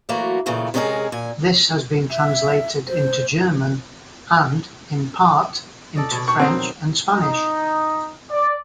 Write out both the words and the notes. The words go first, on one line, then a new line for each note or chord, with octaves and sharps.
This has been translated into German and, in part, into French and Spanish.
E3 F#3 A3 A#3 F#4
A#2 C#3 E3 A3 B3
C3 G#3 C#4 G4 G#4 A#4
A#2 G#5
E5
C5
A4 D5 D#5
B2 C#5 D5
D4 G5 C#6
D#3 F#3 C4 D#4
D#4
D5